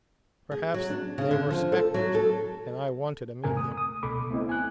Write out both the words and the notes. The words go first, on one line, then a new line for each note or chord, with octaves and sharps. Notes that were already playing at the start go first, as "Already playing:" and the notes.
Perhaps they were Spectres, and I wanted a Medium.
G#4
F#3
D4
C#3
D3
F3
A4
F#3
A4
F2 G#2 C3 A#4 G#5
A3 D#6
D#6
C#2 B2 A4 B5 D6
A3 B3 C4 E4 D#5
G#5 F#6